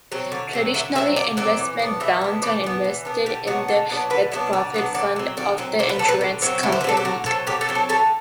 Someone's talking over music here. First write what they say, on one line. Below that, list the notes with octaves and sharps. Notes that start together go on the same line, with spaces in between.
Traditionally investment bonds only invested in the with-profit fund of the insurance company.
F#3 C4
D3
F#3 C4
D3 E5
F#3 C4 E5
D3 D5
F#3 C4 D5
E3
B3 D4
E3 E5
B3 D4
E3 D5
B3 D4
E3
B3 D4
D3 G4
F#3 B3 D4 F#4
D3 A4
F#3 B3 D4
D3 B4
F#3 B3 D4 E5
D3 D5
F#3 B3 D4
D3 D5
F#3 C4
D3 D5
F#3 C4
D3 C5
B4
F#3 C4 A4
B4
D3
F#3 C4 F#4
D3 E4
C5
B4
F#3 C4 A4
G4
D3 F#4
F#3 C4 A4
D3 G4
A4
F#3 C4
A4
D3 A4